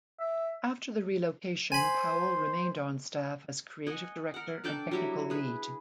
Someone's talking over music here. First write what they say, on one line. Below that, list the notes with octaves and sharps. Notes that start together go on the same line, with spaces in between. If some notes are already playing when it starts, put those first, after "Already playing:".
After the relocation, Powell remained on staff as creative director and technical lead.
E5
C5 G#5 B5
D#5 F#5 G#5
A#4 F#5
D4 A4 D5 G5
F#3 G3 E4
G#4 B4